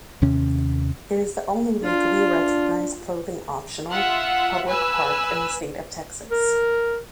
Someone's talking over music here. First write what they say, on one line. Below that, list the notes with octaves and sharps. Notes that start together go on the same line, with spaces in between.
It is the only legally recognized clothing-optional public park in the State of Texas.
D#2 C3 C#4
D4 F4
F4 E5 F#5
B4 G#5 E6
A#4